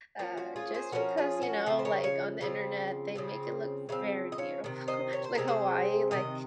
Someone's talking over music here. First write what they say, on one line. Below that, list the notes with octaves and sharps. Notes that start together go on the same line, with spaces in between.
uh, just because, you know, like, on the Internet, they make it look very beautiful. Like Hawaii, like,
F3 A#3 C#4 F4
F#4
F4 G#4
G#4 C5
F3 A#3 C#4 F#4 A#4
F4 G#4
F#4 A#4
C#3 F3 C4
C5
A#4 C#5
C#5 F5
C#3 F3 C4
C#3 F3 C4
C#3 F3 C4 F5
D#5
C#5 F5
C3 D#3
C5 D#5
C#5
C5
C3 D#3 G#3 C4 A#4
G#4 C5
C3 D#3 D#5